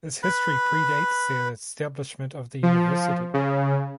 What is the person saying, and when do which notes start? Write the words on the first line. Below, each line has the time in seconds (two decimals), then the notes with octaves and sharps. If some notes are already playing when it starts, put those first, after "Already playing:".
Its history predates the establishment of the university.
0.23 B4 B5
2.63 F3
3.34 C#3